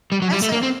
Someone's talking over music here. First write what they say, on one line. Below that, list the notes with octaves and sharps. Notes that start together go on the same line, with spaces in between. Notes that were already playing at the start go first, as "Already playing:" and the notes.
That's it.
G3
F#3
G3
A3
A#3
C4